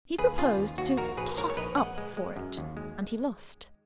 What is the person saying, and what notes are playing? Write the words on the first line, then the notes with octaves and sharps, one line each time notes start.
He proposed to "toss up for it"--and he lost.
D#2 G#4 B4
C#3 F4 G#4
D#2
D#2 F#4
A#1 F#4 A#4
A#1 G#4 B4
G#2 A#4 C#5
C#5
A#1 B4 D#5
G#3 D#5 F#5
G#3
G#3
F#2
D#2
G#3